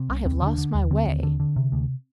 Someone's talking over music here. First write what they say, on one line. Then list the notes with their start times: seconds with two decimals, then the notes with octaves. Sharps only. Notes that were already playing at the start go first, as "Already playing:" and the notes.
'I have lost my way.
Already playing: C3
0.09 C2
0.25 D#2 C4
0.42 D3 D4
0.58 D3
0.74 D#2
0.91 D3 C4
1.07 D#2
1.23 D3
1.40 D3
1.56 C3
1.72 D2